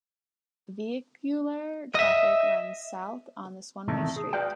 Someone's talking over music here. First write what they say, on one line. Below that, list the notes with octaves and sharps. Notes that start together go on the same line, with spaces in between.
Vehicular traffic runs south on this one-way street.
D#5 E5
E2 A2 C3 D#3 A3
G#4
F#4 B4 D5 F5 G5